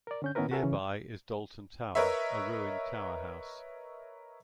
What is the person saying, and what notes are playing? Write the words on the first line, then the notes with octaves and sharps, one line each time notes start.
Nearby is Dalton Tower, a ruined tower house.
A#4 D5
D3 C#4 G6
D#3 B3 C#4 E4 A#4 B4
F#4 A4 A#4 E5 G#5
C#3 E3 C#4
A#4 B4 C#5 D#5 E5